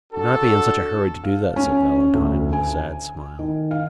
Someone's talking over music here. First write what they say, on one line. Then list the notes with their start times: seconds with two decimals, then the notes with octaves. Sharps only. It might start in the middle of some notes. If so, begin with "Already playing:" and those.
"Do not be in such a hurry to do that," said Valentine, with a sad smile.
0.13 D4 F#4 A4
1.24 F5
1.56 C#4
2.14 D2
2.53 G#5
3.39 D#3
3.71 F5